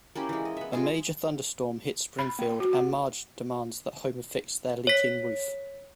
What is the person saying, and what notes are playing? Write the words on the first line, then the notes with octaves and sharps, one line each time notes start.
A major thunderstorm hits Springfield, and Marge demands that Homer fix their leaking roof.
A#3 C#4 E4 G4
E3 G#3
D#5
B3 E5
G#3 F4 G#4
B5
A#3
F#4
F#5
C#5 B6